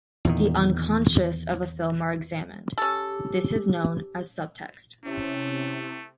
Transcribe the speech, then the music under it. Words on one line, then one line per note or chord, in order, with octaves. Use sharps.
The 'unconscious' of a film are examined; this is known as subtext.
E2 A#2 D#3
C#4 G4 A4
C3 A3 C#4 E4